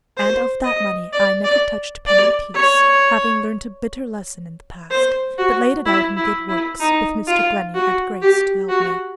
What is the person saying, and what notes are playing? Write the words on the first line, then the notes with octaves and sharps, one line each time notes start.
And of that money I never touched penny piece, having learnt a bitter lesson in the past, but laid it out in good works, with Mr. Glennie and Grace to help me.
C5
D#5
D5
D5
D5
C#5
C5
F#4
E4
E4
E4
D#4
F4
F#4
G4
F#4